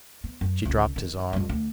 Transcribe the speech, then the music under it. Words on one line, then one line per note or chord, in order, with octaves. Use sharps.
She dropped his arm.
B3
F#2
C#2 D3
D#3
F2 G3
D2